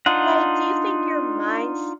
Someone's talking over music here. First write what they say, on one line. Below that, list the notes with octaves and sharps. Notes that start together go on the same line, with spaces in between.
Like, do you think your minds
D4 D#4 F4 F#5